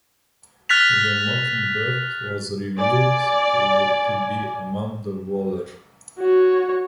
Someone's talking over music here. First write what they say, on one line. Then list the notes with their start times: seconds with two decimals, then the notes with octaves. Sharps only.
This Mockingbird was revealed to be Amanda Waller.
0.69 F6 F#6 A6 B6 F7
2.78 D5 G#5
6.19 F#4 C#5